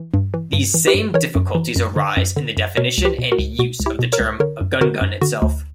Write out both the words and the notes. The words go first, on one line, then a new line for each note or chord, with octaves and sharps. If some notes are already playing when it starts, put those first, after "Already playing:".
These same difficulties arise in the definition and use of the term Egungun itself.
Already playing: E3
G2
E3
G2
E3
G4 B4
G2
E3 A#4 C#5
F#2
E3
F#2
D3
F#2
D3
F#2
B2 A#4 C#5
C#2
G4 B4
B2
F#4 A#4
C#2
B2 F#4
C#2
E4 G4
B2
A#4 C#5
C#2
D3 A#4 C#5
F#2
D3 F#4 A#4
F#2
D3 F#4
D2